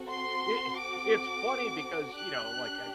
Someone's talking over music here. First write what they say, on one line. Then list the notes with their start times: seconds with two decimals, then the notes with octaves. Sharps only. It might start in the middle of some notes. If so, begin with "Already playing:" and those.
it it's funny because, you know, like, I
Already playing: C4 F#4 A4
0.09 C6
0.78 D6
2.16 D4 G4 F#6